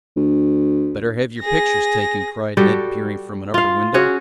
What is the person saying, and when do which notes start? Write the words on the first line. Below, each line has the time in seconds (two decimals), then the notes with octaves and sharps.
"Better have your pictures taken!" cried Ned, peering from an upper window.
0.16 D2
1.39 G#4 A#6
2.57 G3 F#4 A4 G5
3.54 F4 F5
3.94 C#4 F#4 G#4